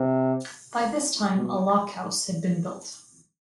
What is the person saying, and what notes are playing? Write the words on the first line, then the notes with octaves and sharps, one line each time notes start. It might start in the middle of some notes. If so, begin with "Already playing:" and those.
By this time a lock house had been built.
Already playing: C3
B2